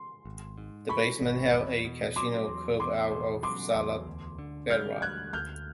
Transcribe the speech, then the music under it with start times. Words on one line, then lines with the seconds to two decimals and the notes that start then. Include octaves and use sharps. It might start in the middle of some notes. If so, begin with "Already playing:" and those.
The basement held a casino, carved out of solid bedrock.
Already playing: C6
0.25 G#1
0.58 G#2
0.89 E3 B5 C#6
1.21 G#1
1.53 E2
1.85 B2
2.16 F#3 C6 D6
2.48 E2
2.80 E2 C6 D6
3.11 B2
3.43 F#3 C6 D6
3.75 E2
4.07 D2
4.39 D3
4.70 G3 F6 G6
5.01 D2 F#6 G#6
5.33 D2 F6 G6